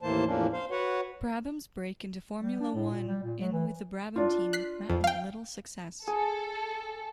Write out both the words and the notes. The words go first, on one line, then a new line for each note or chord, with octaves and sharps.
Brabham's break into Formula One in with the Brabham team met with little success.
D#2 A2 E3 A#3 C5 A5
E2 A2 F3 A#3 C#4 D4
C5 F5
F#4 B4 C#5 F#5
G3
D4
A2
A#2
G3
A#2
F#3
E3
D4 F4
F#6 B6 C7
F2
F5 G5
G#4 A4